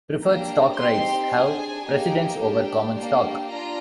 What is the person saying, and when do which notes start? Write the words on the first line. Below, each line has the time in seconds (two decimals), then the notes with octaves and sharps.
Preferred stock rights have precedence over common stock.
0.23 A#3 D4 G4 A#5
0.78 C4 D#4 G4 C6
1.32 D4 G#4 G#5
1.86 A#3 D#4 G4
2.40 D4 G4
2.94 A#3 D4 G4
3.48 D4 F4 A#5